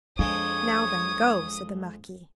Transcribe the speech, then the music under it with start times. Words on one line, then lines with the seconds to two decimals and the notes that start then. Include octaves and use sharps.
"Now, then, go," said the marquis.
0.19 F2 G#3 D4 C#5 D6 D#6